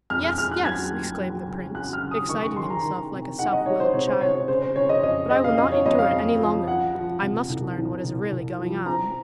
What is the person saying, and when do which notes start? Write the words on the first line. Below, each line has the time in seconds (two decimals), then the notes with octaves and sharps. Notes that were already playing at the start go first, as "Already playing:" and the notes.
"Yes, yes," exclaimed the prince, exciting himself like a self-willed child; "but I will not endure it any longer, I must learn what is really going on."
0.10 F2 F6
0.24 F6
0.37 F2 F6
0.51 F#6
0.65 F#3 G#6
0.92 A#3
1.20 F#3
1.47 C#3
1.75 F#3 F#6
1.93 F6
2.02 C#3
2.11 D#6
2.29 D#3 C#6
2.43 C#6
2.56 D#3 C6
2.70 A#5
2.84 D#3
3.12 C3
3.39 D#4 F#5
3.53 D#5
3.66 D#4 C#5
3.80 C5
3.94 C3 C#5
4.07 C5
4.21 C3 C#5
4.35 C#5
4.48 C#3 C5
4.62 C5
4.76 C#3 C#5
4.89 D#5
5.03 F2 D#5
5.30 C#3 D#5
5.44 F5
5.58 F2 D#5
5.72 C#5
5.86 F2 D#5
5.99 F5
6.13 F2
6.40 F3
6.67 F3 F#5
6.95 F3
7.22 C3
7.50 C2
7.78 C2
8.04 C2
8.32 C2
8.59 F3
8.86 C4 A#5